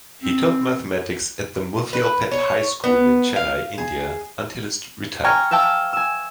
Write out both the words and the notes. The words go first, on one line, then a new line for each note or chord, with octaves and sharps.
He taught mathematics at the Muthialpet High School in Chennai, India until his retirement.
C4
B4
C#5
B3
F5
G#4
G5 G#5 A#5 C#6 F6 G#6
E5 F5 G5 A5 E6
G#5 E6